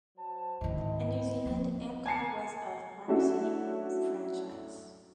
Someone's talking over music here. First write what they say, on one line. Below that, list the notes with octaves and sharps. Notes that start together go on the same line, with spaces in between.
In New Zealand, Amcal was a pharmacy franchise.
F#3 C5 A5
G#2 D#3 C4 E4 D#5
F3 A#3
G#5 A5 C7 C#7
F#3 A3 C#4 D4 E4 F#4